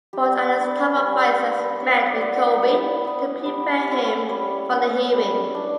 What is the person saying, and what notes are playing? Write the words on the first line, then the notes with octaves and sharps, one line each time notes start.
Ford and his top advisers met with Colby to prepare him for the hearing.
G3 G4
B3 D4
G3 B4
B3 D4
G3 C#5
D5 E5
B3 E4 F#5
B5
G3 B5
B3 E4
G3
C#4 E4
G3 C#5
C#4 E4
G3
D4